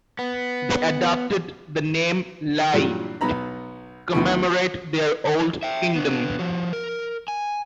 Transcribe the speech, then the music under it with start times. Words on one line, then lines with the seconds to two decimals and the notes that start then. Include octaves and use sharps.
They adopted the name Lai to commemorate their old kingdom.
0.19 B3
2.73 G2 A#2 E3 F#3 G3
3.21 B1 B3 A#5 B5
4.12 D2 D#3 B3 E4 C#6
5.63 E5 G5
5.96 B3 D4
6.39 F3 F#4
6.73 A#4
7.28 G#5